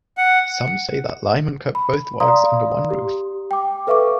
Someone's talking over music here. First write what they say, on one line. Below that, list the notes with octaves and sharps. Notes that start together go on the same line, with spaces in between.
Some say that Lyman kept both wives under one roof.
F#5
B5
D5 F5 A#5 C6 D#6
G4
G5 D6
A4 B4 E5 F5 C#6 D6